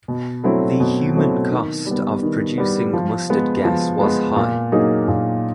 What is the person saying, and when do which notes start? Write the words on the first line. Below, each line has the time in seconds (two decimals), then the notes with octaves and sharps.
The human cost of producing mustard gas was high.
0.08 B2
0.44 F#3 A3 C4 E4
0.80 B2
1.15 F#3 A3 C4 E4
1.51 D#3
1.86 G3 B3
2.23 D#3
2.58 G3 B3
2.93 F3
3.30 G#3 B3
3.65 F3
4.01 G#3 B3
4.36 A#2
4.72 F#3 A#3 D#4 G#4
5.08 A#2